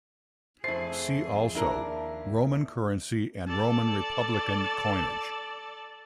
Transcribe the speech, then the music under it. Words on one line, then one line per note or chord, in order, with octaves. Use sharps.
"See also:" Roman currency and Roman Republican coinage.
F2 A3 E4 G#4 C5 A6 C7
D#2 D4 E4 A#4
A4 D5